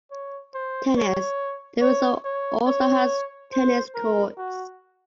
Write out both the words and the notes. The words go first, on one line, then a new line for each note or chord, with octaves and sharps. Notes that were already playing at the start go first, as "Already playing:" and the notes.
Tennis - The resort also has tennis courts.
C#5
C5
C#5
C#5
C#5
C#5
C5
A#4
F#4